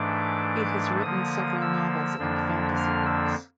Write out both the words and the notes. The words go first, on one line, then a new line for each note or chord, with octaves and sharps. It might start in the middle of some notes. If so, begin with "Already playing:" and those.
He has written several novels and fantasy books.
Already playing: G#2 E3 A3 D4 D6
D3 F3 A#3 D#6
E6
F2 D3 F3 A#3 D4
F6
E6